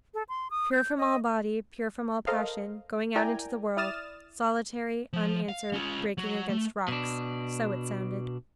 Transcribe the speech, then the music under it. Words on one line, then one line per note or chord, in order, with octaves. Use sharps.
Pure from all body, pure from all passion, going out into the world, solitary, unanswered, breaking against rocks--so it sounded.
A4
C6
D#6
G6
D#5
A4 A#4 C5 D#5 F5
E4 A#4 D5 G5 G#5 A#5
E4 D5 D#6 F6 A6 E7
F3
F5
C#4 F4
F#3
A3
B2 D4